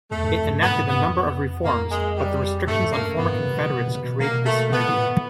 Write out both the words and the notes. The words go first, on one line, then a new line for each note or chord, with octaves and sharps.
It enacted a number of reforms, but the restrictions on former Confederates created disunity.
E2 A3
F#2
F2
G2
G#2 B3
G#2
G2 B3
F2
F2 A#3
G#3
G3
G2 A3
F#2
A#3
F#2
G2 B3
A2
C3
C3
B2
A#2
B2
B2 A#3
A3
A#2 B3
A2